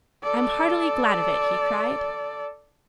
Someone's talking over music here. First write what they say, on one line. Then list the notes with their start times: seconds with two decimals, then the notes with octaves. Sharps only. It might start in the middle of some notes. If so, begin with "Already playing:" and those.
"I am heartily glad of it," he cried.
0.23 A4 D5